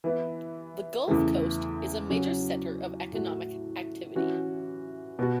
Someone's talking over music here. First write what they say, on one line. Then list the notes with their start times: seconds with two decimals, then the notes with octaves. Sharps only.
The Gulf Coast is a major center of economic activity.
0.04 E3 B3 E4
1.08 E2 C#3 E3 A3
2.10 C#3 F#3 C#4 F#4
3.12 A2 A3 F#4
4.15 E3 C#4 F#4
5.19 B2 B3 F#4